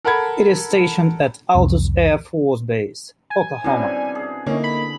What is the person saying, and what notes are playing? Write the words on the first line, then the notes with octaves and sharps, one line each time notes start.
It is stationed at Altus Air Force Base, Oklahoma.
A4 A#4 F#5 A5 B5 G#6
C2 F2
G#5
B2 D3 G3 C4 C#4 E4
G#4
D3 A#3 C#4 D#4 E4
B5